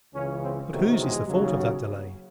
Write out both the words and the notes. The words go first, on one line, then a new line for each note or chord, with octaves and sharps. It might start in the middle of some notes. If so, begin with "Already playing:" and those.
But whose is the fault of that delay?
C#2 C#3 E3 C#4
C4
E2 C3 D#3 F#3 A3
G#3
D#2 C#3 F#3